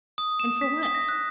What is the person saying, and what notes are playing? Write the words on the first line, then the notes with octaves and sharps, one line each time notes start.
"And for what?"
D#6
E7
B6
D#6
A#6
F#6